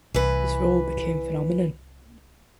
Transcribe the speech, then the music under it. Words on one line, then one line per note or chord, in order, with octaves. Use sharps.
This role became phenomenon.
C2 E3 B4